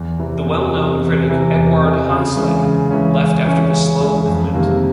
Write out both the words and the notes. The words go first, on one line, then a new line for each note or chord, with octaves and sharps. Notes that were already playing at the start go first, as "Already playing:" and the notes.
The well known critic Eduard Hanslick left after the slow movement.
Already playing: E2
C3 E3
E2
C3 E3
E2
C3 E3
E2
C3 E3
C#3
E3 G#3 C#4
C#3
E3 G#3 C#4
C#3
E3 G#3 C#4
C#3
E3 G#3 C#4
F2
C3 D#3 G3 A#3